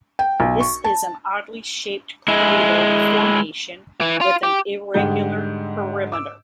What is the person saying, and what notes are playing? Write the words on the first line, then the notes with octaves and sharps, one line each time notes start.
This is an oddly shaped crater formation with an irregular perimeter.
G5
B1
C#6
A5
G#3 E4
E3
F4
G4
G#2 D3 G3 G#4 G6
D6 E6